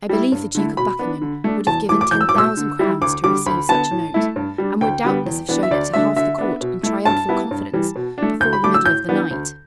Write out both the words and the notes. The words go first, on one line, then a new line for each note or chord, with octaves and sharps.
I believe the Duke of Buckingham would have given ten thousand crowns to receive such a note, and would doubtless have shown it to half the court in triumphant confidence before the middle of the night.
G3 E4
G2
D3 A3 E4
B2 B5
B3 D4
D3
A3 D4
E2 A5
E3 A3 D6
D6
E2 G6
E6
D6
B2 A3 E6
D3
G3 E4
D2 D6
D3 G3 D6
D2 B5
D3 B3 A5
A2
A3 E4
G2
G3 D4
D2 G5
D3 G3 B3
E2
E3 B3 D4
E5
D2 D5
D3 A3 D4 E5
D3 E5
B3 D4
B2
A3 E4
G2 A5
G3 B3 E4
G2
E3 G3
B2
A3 D4
D2 G6
B5
D3 A3 D4 D6
E6
A2 G6
E3 B3 D4
D2